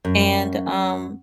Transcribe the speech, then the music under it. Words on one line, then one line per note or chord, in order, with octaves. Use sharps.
and, um
F#2